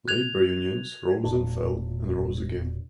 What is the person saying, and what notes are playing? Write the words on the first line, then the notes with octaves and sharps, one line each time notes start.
Labour unions rose and fell and rose again.
F#6 G#6 F7
E1 A#2 D4